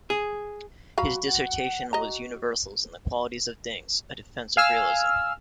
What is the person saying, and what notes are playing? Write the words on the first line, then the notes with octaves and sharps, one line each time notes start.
His dissertation was Universals and the Qualities of Things: A defense of Realism.
G#4
F#3 F#4 F5 B5
F#5
F#4 D#5 A#5
F5 G#5 E6 F6